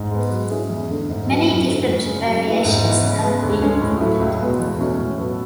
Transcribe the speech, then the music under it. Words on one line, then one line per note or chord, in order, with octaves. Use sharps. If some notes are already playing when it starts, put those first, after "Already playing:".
Many different variations have been recorded.
Already playing: G#2
G#3 B3
F#3
C#4 E4 G#4
E2
D3 A3
G#2
F#3 B3
F#2
D3 F#3
F#2
C#3 G#3
F#3
A3 E4 B4
G#2
E3 B3
C#3
G#3 B3
D2
D3 G#3 C#4
A2
F#3 A3 E4
C#2
B2 G#3 B3 F#4
E2
B2 A3 C#4 F#4
A2
F#3 B3 F#4 A4